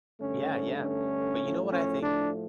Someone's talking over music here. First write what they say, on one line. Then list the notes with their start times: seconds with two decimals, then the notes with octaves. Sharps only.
Yeah, yeah. But you know what I think?
0.20 G2 D3 A3 C#4
0.81 C#4
1.41 A2 F3 A3
1.72 C#4
2.02 D4